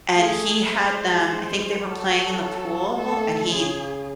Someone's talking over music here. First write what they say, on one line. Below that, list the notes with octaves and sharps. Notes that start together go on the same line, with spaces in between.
and he had them I think they were playing in the pool, and he
A3 G#4
G#3 C5
C5
F#3 A4
F#3
A3 A4
C#3 G#4